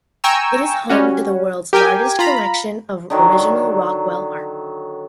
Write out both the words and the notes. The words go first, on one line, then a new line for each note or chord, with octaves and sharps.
It is home to the world's largest collection of original Rockwell art.
G5 G#5 A#5 C#6 E6
G3 C#4 F#4
G4 A#4 G5 G#5
F4 A#5 B5
D3 D#3 F#3